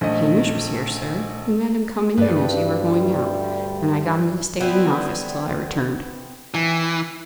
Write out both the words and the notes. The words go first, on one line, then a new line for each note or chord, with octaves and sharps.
"Hamish was here, sir; you met him coming in as you were going out, and I got him to stay in the office till I returned."
A#1 A3 D#5
D2 G2 G3 B4 D5
D3 G3 B3 C4 E4
E3 C4 E4